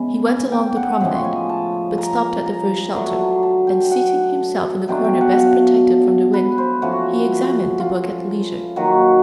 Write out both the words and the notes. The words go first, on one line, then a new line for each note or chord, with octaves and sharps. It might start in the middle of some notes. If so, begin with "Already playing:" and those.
He went along the promenade, but stopped at the first shelter, and seating himself in the corner best protected from the wind, he examined the book at leisure.
Already playing: C#3 E3 G#3 B3
G5
F#5
A2 F3 G#3 C#4 G5
G#5
A5
A#5
A#5
D3 F#3 A3 D4
A5
G5
F#5
B2 F#3 A3 D4 G5
G5
F#5
F5
B4
C5
F3 A3 C#4 F#4
F4
D#3 F#3 A#3 F#4